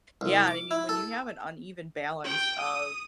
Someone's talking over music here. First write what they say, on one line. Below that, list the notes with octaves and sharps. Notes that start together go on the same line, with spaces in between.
Yeah, I mean, when you have an uneven balance of
C2
D6
E4
A4
G5
D#6